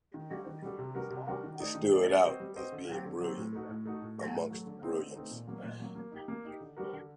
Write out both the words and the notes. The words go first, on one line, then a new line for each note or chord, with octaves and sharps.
It stood out as being brilliant amongst brilliance.
D#3
G3 D4 F#4 A4
D#3
G3 D4 F#4 A4
C3
G3 D4 F#4 A#4
C3
G3 D4 F#4 A#4
D#3
A3 D#4 A4 D5
D#3
A3 D#4 A4 D5
G3
C4 F#4 C5 D#5
G3
C4 F#4 C5 D#5
D3
F#3 C4 G4
D3
F#3 C4 G4
A2
A3 D#4 F#4
A2
A3 D#4 F#4
A2
F#3 A3
A2
F#3 A3
D3
A3 C4 D#4
D3
A3 C4 D#4
A#2
F#3 A#3
A#2
F#3 A#3
A#3
D#4 G4
A#3
D#4 G4
D3
G3 D4 F#4 A#4
D3